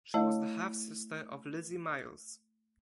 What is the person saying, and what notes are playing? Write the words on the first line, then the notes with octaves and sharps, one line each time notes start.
She was the half-sister of Lizzie Miles.
A3 E4 C#5 D#5 F5